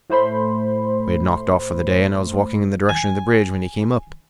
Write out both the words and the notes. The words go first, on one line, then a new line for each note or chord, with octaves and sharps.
We had knocked off for the day, and I was walking in the direction of the bridge when he came up.
A2 A3 C5 B5 C6
G#5